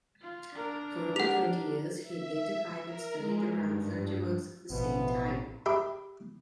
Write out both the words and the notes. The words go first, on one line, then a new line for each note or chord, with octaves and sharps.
For over twenty years, he identified and studied around thirty works of the same type.
F4
D4 A#4
G4 F#5 F7
E5
A#4
G#3
G2
A1 B2 E3 F3 B3
G4 E5 B5